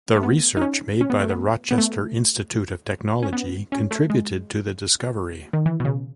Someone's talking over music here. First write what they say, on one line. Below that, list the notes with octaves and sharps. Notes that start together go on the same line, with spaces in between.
The research made by the Rochester Institute of Technology contributed to the discovery.
A3
B3
D#4
C#4
C#4
B3
A3
B3
B3
A3
C#4
B3
C#4
A3
G#3
D#3
E3
B2
C#3